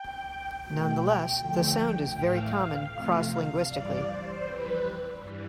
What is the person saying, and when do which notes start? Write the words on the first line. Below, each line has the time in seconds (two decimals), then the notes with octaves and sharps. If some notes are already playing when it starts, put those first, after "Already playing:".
Nonetheless, the sound is very common cross-linguistically.
Already playing: G5
0.62 B2 A3
1.38 E2 D3 F3 A3
2.13 A2 E3 A3 F5
2.90 F2 C3 F3 A3
3.65 G2 E3 G3 D5
4.03 C5
4.41 F2 E3 G3 B4
5.17 G2 E3 G3